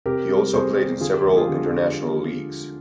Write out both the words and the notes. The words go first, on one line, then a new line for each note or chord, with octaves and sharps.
He also played in several international leagues.
C3 G4 A#4
G3
C3 G#4 C5
G3
D3 F4 G#4
G4
F3 G#3
F4 G#4
D3